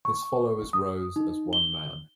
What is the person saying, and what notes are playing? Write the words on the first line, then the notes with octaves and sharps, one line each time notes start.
His followers rose as one man.
C#6
D#6
D#4
G7